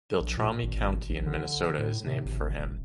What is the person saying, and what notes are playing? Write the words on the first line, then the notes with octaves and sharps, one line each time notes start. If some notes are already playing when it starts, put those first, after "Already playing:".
Beltrami County in Minnesota is named for him.
A#1
A#2
G#1
A#1
D3
A2
C3
G#1
D#1